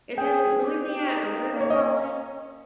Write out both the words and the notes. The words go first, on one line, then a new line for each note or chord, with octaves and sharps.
it's in Louisiana; what do they call it?
G#4 G5
G4
D#4
A#3
C#5
D#5